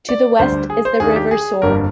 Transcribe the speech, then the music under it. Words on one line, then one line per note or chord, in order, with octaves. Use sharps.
To the west is the River Soar.
D5
D2 D3 G3 D4 C5
G#4
C5
D#2 D#3 A#3 D4 G#4
G4
G#4
G1 F2 D3 G3 A#3 A#4